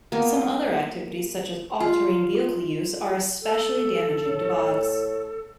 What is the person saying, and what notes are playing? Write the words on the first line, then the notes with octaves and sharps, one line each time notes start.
Some other activities, such as all-terrain vehicle use, are especially damaging to bogs.
A#3 B3
F4
A4
A2 C#5